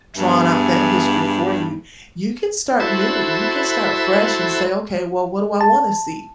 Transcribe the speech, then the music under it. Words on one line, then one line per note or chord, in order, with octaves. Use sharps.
drawn out that history for you. You can start new, you can start fresh and say, "Okay, well, what do I wanna see."
G2 B3 G#4 E5
E4 F#4 A4 C5 E5 B5
A5